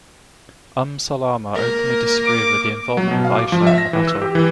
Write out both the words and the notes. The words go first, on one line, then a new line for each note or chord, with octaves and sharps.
Umm Salama openly disagreed with the involvement of Aisha in the battle.
A#3 A#4
D6
F#3
B2
F5
D6
F3
E5
A#6
E3
E6
G4
E3